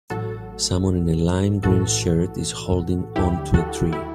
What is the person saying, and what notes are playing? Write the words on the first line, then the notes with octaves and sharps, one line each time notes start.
Someone in a lime green shirt is holding on to a tree.
A1 A2 F#3 F#4 A4
B1 A2 E3 F#4 A4
D2 D3 F#3 E4 G4
F#4 A4
E4